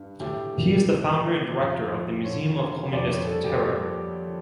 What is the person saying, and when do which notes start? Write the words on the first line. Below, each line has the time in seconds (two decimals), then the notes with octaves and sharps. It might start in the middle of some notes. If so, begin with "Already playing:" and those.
He is the founder and Director of the Museum of Communist Terror.
Already playing: G2
0.20 A2 G4
0.54 A#3
0.88 A#3
1.22 A2
1.56 F2 F4
1.90 F2
2.24 D3 C#5
2.59 D3
2.93 F2 D5
3.11 C#5
3.27 G3 A4
3.44 G4
3.62 A#3 G4